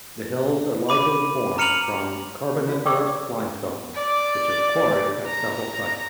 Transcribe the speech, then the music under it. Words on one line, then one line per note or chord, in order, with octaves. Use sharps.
The hills are largely formed from Carboniferous Limestone, which is quarried at several sites.
B5 D6 D#7
A#5 F6 C#7 D#7 F7 F#7
F4
D5 G5 C#6 D6 E6
D5
A#5